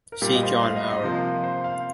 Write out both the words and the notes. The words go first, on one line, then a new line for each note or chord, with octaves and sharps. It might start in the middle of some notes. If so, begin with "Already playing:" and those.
See John Hour.
A#4
A#2 G3 A#3 G4
D#5
C5
F5
D#5
D#5
C3 F3 A#3 C5
C5
F5